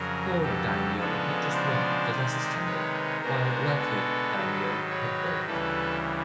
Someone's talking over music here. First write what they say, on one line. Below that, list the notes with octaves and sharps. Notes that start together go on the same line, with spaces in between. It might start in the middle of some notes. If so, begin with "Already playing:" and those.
Poorer "daimyo" had just one, the lesser standard, while wealthier "daimyo" had both.
Already playing: F2 C#3 F#3 G#4 A#4
G4 A4
C#3 F3 G#3 B3 D4 A4 B4
C5 D5
C3 D#3 G#3
B4 C#5
B2 G#3 B3 D4 A#4 C5
A4 B4
G#2 D#3 F#3
B4 C#5
D2 C#3 E3 G3 A4 B4